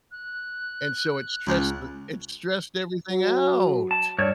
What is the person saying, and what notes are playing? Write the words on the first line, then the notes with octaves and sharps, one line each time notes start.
and so it stressed the it stressed everything out.
F#6
C#2
F#3
A5
G2 C#5 D5